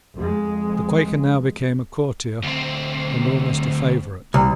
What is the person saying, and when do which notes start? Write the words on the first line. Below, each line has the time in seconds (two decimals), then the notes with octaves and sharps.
The Quaker now became a courtier, and almost a favourite.
0.14 F2 G#3
2.44 D2 C4
4.34 C2